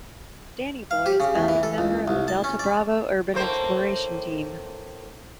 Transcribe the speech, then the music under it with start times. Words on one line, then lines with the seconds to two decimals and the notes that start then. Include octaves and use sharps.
Danny Boy is founding member of the Delta Bravo Urban Exploration Team.
0.91 F5
1.06 G4
1.20 C#3
1.36 E2
1.48 E3
1.63 A4
1.78 C#2
2.08 C2
2.28 A5
2.44 C#4
2.59 D5
3.34 A2 A#3 C5